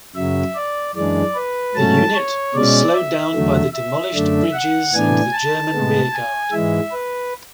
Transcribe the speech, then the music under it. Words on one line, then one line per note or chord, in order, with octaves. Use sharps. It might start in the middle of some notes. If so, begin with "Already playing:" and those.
The unit was slowed down by the demolished bridges and the German rear guard.
F#2 C#3 F#3 E5
D5
F#2 E3 G#3 D4 D5
B4
G#2 F#3 A3 C#4 A5
C#5
B2 G#3 C#4 D5
E5
E2 D3 F#3 A3
E5
F#2 D3 A3 D4
F#5
A2 E3 B3 D4 G#5
A5
A2 G#3 B3
G#5
G#2 E3 G#3 E5
B4